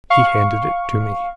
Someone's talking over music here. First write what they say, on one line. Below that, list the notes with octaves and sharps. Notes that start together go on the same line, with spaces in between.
He handed it to me.
F5 C#6